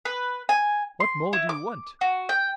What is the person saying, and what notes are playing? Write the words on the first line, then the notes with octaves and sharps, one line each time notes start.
What more do you want?'
B4
G#5
C6
E4
D6
F#4
G5